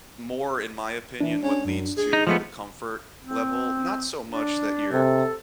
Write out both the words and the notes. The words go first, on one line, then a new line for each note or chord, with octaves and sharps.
more in my opinion what leads to the comfort level. Not so much that you're
E3 D4
C#4 D4
F#2
G#4
D#4
F3 G#3 A3 B3
C4
D4
C3 A4